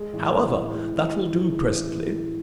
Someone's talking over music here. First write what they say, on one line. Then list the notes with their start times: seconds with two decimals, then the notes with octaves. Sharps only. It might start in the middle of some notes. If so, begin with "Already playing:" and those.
However, that'll do presently.
Already playing: G#3
0.13 A1
0.34 E3
0.53 A2
0.73 G#3
0.93 A1
1.12 E3
1.33 A2
1.52 G#3
1.72 A1
1.93 E3
2.12 A2